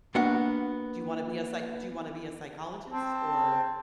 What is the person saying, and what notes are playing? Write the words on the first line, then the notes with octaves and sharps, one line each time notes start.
Do you wanna be a psych do you wanna be a psychologist? Or
A#3 B3 D4 F#4 F#5
C4 A5